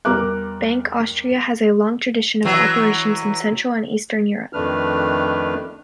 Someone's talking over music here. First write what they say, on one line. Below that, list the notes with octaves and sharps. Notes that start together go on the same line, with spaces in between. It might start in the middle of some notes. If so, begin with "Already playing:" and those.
Bank Austria has a long tradition of operations in central and eastern Europe.
E2 G3 A#4 A#5 D6 F#6
E3 F#3
F2 D#3 A3 D4 B4 F6